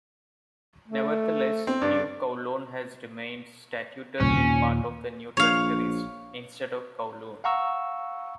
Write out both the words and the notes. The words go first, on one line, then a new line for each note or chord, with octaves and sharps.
Nevertheless, New Kowloon has remained statutorily part of the New Territories instead of Kowloon.
A3
C4
G2 D5
D#1 C2 A#2 C#4
D#2 A#2
A#1 C#5 F5
F5 F#5 A#5 C#6 E6